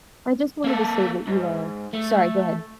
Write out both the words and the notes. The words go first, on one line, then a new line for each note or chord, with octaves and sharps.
I just wanted to say that you are Sorry, go ahead.
A#3 A4
G#2
A3